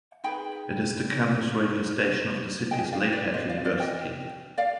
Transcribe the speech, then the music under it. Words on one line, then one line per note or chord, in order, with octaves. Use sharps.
It is the campus radio station of the city's Lakehead University.
D#4 G#4 B4 G5 B5
D4 G#4 B4 D#5 G5
D5 F5
B4 D5
C5 D#5
D5 F5
D5 F5
D#5 G5
D5 F5